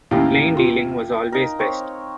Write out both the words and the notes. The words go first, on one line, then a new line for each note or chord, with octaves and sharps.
Plain dealing was always best.
D#2 A2 C#4 E4 G4 F5 G5 A#5
F4
D#4 A#4
C4 C#5